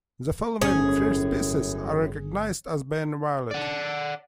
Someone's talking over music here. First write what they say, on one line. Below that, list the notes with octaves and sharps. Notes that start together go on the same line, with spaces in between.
The following three species are recognized as being valid.
G1 F#2 A2 C#4 G#4
D5 F#5